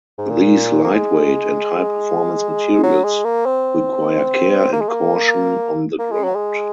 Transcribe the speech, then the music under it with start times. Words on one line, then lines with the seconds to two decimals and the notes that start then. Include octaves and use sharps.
These lightweight and high performance materials require care and caution on the ground.
0.18 G#2
0.30 A#2
0.84 A#3
0.94 G#3
2.83 F#3
3.04 G#3
3.25 A#3
3.46 C4
4.73 A#3
4.80 G#3
4.88 A#3
5.99 A#3
6.11 G#3
6.23 F#3
6.35 G#3